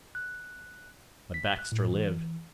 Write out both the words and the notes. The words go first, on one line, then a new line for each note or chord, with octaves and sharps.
But Baxter lived.
F#6
B6
F#6
A2
E3